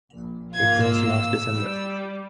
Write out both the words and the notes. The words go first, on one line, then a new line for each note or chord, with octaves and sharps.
It was last December.
A#1
G#2 A#3 F4 G#6
E6
G3